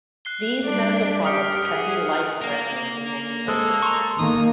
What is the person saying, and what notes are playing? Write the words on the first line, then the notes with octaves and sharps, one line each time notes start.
These medical problems can be life-threatening in many cases.
F#6 C7 G7
G3 D4
G4 D#6 F6 C#7
G#4 F#5
A#4 F5
G#3 G#4 A4
A#5 C6 C#6
D#3 A#3 D#6